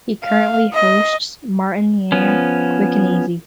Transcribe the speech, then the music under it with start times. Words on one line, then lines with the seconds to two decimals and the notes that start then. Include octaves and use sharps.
He currently hosts "Martin Yan - Quick and Easy".
0.24 F5
0.74 D#5
2.12 F3 B3 C#4